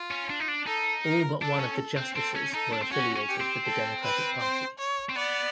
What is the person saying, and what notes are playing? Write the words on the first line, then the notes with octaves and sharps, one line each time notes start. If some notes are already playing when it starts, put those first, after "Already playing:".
All but one of the justices were affiliated with the Democratic Party.
Already playing: F4
C#4
D4
D#4
D4
D#4 A4
A#4
D4 A4
C#4
C4
C4 A4
C#4
D#4 A4
D4
C4
C#4 F#4
C#4
G4
C4
A4
B4
C5
C#5
C4
B3 D5